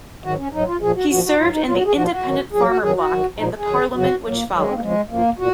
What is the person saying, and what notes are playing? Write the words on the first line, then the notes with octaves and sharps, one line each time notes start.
He served in the Independent-Farmer bloc in the parliament which followed.
G#2 D#3 F#3 F#4
C#4
G#2 F#3 D#4
F4
A#2 F3 G#4
F#4
A#2 F3 F#4
F#4
G#2 F#3 F4
D#4
A#2 F#3 F4
F#4
G#4
A#2 F3 F#4
F4
F#4
G#2 D#3 F#3
A#2 F#3 G#4
F#4
F#2 D#3 F#3 G#4
F#4
G#2 D#3 F#3
A#2 F3 D#4
G#4
F#2 D#3 F#3
F2 C#3 F#3 F#4
A#2 F#3 A#3
G#2 D#3 F#3 G#3
C4
A#3
F2 C#3 F3 G#3
F#2 F3 A#3
A#2 F#4